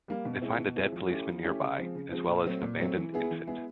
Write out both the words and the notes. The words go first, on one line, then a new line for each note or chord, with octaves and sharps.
They find a dead policeman nearby, as well as an abandoned infant.
G3 A#3
B2
G#3 C4 E4
B2
G#3 C4 E4
F3
A3 C#4 E4 G4
F3
A3 C#4 E4 G4
C#3
F3 G#3 C4
C#3
F3 G#3 C4
A#2
F#3 A3 C4
A#2
F#3 A3 C4
E3
G#3 B3 E4 G#4
E3
G#3 B3 E4 G#4